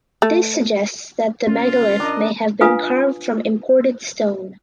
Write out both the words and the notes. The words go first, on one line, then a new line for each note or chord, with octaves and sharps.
This suggests that the megalith may have been carved from imported stone.
A3
C#4 F4
D4 A#4 D#5
D4 F4 B4 F5 G#5 D#6